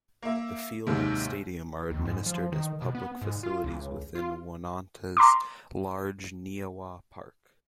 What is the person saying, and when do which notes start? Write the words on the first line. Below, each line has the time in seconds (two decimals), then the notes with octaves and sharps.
The field and stadium are administered as public facilities within Oneonta's large Neahwa Park.
0.22 A#3 E5
0.87 D#2 G#2 C3 D#3
1.91 D#2
2.05 G#2
2.26 F3
2.52 D#3
2.82 B2
2.95 B3
3.22 G#2
3.43 F4
3.64 C#2
4.15 F4
5.17 A#5 C6 D6